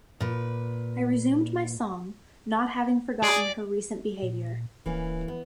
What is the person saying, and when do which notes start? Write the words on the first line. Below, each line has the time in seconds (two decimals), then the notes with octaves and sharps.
I resumed my song; not having forgotten her recent behaviour.
0.20 A#2 B4
3.23 G#4 D5
4.22 A#2
4.86 D1 E3 A#3 C#4
5.28 B3